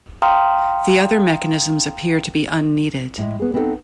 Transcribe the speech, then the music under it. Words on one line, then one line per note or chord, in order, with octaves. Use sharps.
The other mechanisms appear to be unneeded.
F5 G5 A#5 C6 D#6 F6
A2 G#3
B3 G#4
B3 C4 D#4 G4 A4 F#5